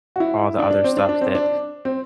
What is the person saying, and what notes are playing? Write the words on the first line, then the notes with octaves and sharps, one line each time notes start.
all the other stuff that
F#4
E4
D4
D4
C4
D4
D4
C4
D4
C4